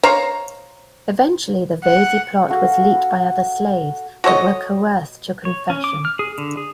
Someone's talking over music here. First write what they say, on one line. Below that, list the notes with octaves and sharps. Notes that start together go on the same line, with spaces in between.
Eventually, the Vesey plot was leaked by other slaves that were coerced to confession.
C5 C#5 F5 A#5
F#5
F#4 A4 F5 F#5
F#4 A4 C#5 D#5
C#5
C#4
D6
F6
G#4
D3
G#4